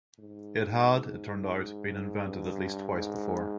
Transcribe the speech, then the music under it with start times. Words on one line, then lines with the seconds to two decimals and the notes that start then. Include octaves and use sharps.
It had, it turned out, been invented at least twice before.
0.19 G#2
2.24 G2
2.92 G#2